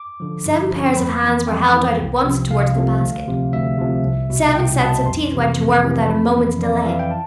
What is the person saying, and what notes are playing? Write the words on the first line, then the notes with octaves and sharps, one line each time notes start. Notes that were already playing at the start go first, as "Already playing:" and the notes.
Seven pairs of hands were held out at once toward the basket; seven sets of teeth went to work without a moment's delay.
Already playing: D6
D3 F3
G2
D3 F3
F2 B5
E3
F2 G5
E3
C2
C3 F3
C2 F5
C3 F3
D2
C3 F3
D2 E5
C3 F3
C2
B2
C2 G5
B2 A5
F2 C6
C3 E3
F2
C3 E3
A5
F2 B5
E3
F2 D5
E5
E3 F5
G5
A5